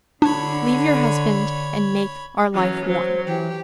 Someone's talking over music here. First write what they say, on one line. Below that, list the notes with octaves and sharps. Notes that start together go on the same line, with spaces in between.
"Leave your husband and make our life one."
D3 D4 C#5 B5
E3 F#3 C#4
F#3 C5
E3 G4